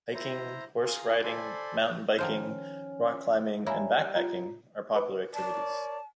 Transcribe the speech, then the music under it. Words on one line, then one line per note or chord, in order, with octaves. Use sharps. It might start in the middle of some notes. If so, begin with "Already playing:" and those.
Hiking, horse-riding, mountain biking, rock climbing, and backpacking are popular activities.
E4 C5 A#5
F4 G#4 A#4
A4 C5 D5 G#5 B5 C6
D#3 F3 C#4 C5 F6
G3 A#3 E4 C#5 G#5
F4 A#5
B4
A#4 C#5 D5 A5